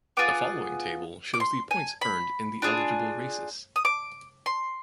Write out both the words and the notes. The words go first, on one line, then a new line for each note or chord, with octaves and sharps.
The following table shows the points earned in the eligible races.
B3 F4 G#4 D6
D6
C6
G#5
B5
D4 F4 G#4
D#6
D6
C6